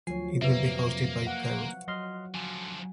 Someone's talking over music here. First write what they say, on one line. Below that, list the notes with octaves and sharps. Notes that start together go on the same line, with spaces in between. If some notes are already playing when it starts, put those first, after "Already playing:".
It will be hosted by Peru.
D2 F3 F#3 C#5 G#5 C7
F2 C3 A#3 B4 E5
F5 F#5
F#3 D#5 C6 F6
D3 F3 G#5